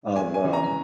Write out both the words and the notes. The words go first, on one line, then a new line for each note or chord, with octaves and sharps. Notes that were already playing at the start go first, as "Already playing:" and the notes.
of, um,
E2 G#5
G#5
C#3 E3
A#5